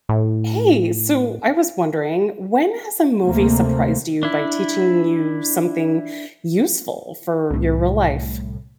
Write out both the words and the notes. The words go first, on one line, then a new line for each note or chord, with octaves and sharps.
Hey, so, I was wondering, when has a movie surprised you by teaching you something useful for your real life?
A2
D2 C3 A3 A#3 C4
D4 E4
C2 A2